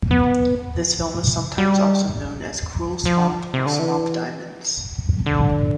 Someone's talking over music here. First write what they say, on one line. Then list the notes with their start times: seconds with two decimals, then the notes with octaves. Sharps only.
This film is sometimes also known as Cruel Swamp or Swamp Diamonds.
0.11 B3
1.58 G3
3.06 F3
3.54 C3
3.66 D3
3.79 E3
5.26 D3